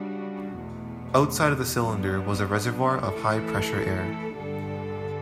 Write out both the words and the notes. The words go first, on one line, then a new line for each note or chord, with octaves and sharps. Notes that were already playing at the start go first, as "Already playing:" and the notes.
Outside of the cylinder was a reservoir of high-pressure air.
Already playing: C#3 G3 D4 F#4
E2 B2 A3
F#3 B3 D4
E3 A3 E4 A4
G2 D3 G3 D4 A4